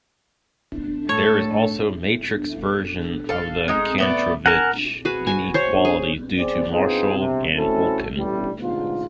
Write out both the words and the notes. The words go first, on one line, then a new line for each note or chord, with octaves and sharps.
There is also Matrix version of the Kantrovich inequality due to Marshall and Olkin.
A2 A3 A4 C#5
A4 F5
G#3 D#4
A3 B3 D5
A#4 F#5 G#5 A5
F#4 G#4 B4
F#4 G#5
C5 C#5
G#4
C4 G#4 C5 D5
B3 C4 D#4 F4 G#4
C3
C4 C#4 E4 F#4 A4
A1 G3
A1 G#2 D3 F4